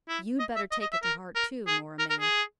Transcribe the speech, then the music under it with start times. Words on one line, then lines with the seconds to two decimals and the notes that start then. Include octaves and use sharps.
You'd better take it to heart too, Nora May.
0.09 E4
0.40 D#5
0.56 E5
0.72 D#5
0.82 D#5
0.93 E5
1.03 A#4
1.36 A#4
1.67 G#4
1.99 A#4
2.10 A#4
2.20 G#4